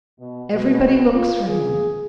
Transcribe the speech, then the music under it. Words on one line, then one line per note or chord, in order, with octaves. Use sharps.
Everybody looks for him.
B2
B2
F4
G#4